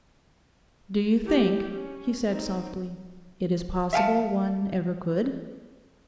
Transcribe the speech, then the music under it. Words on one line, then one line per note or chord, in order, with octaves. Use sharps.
'Do you think,' he said softly, 'it is possible one ever could?'
E4 G4
C#4
C4 D#4
E5 F5 G5 A5